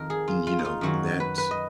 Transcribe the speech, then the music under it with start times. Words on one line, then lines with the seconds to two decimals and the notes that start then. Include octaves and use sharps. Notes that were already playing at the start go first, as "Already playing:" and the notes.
and, you know, that
Already playing: F2 D#3 A#4
0.10 G#4
0.28 F4
0.47 F4
0.59 D#4
0.65 F4
0.81 F#2 D#3 F#3 F#4
1.20 B4
1.38 B4
1.51 D#5